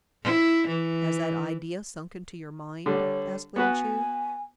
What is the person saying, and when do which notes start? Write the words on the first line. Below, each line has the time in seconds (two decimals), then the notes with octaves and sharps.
"Has that idea sunk into your mind?" asked Ling Chu.
0.23 E4
0.67 E3
2.86 D3 G3 C#5
3.56 B3 F#4 B4 G#5